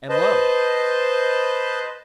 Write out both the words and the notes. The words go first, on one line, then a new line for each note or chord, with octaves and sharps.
And lo!
B4 C5 D#5 A5